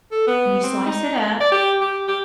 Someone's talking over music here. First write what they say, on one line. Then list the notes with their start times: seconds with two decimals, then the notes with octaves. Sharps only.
and you slice it up
0.11 A4
0.27 B3
0.63 C4
0.86 D#4
1.40 D5
1.52 G4
1.81 G4
2.08 G4